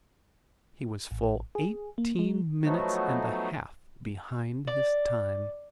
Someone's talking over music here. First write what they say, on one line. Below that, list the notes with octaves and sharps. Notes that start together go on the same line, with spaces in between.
He was full eighteen minutes and a half behind his time.
A1
G#4
A#3
G#3
F3 F#3 A3 B3 D#4 F#4
D5